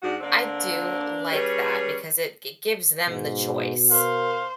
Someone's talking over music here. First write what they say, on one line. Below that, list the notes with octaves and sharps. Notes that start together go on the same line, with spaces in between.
I do like that, because it g gives them the choice
G#2 D4 F#4
D3 A#3 C4 D4
G3 C#4 G#4 B4 C#5
G#2 B2
A#4 C5 F5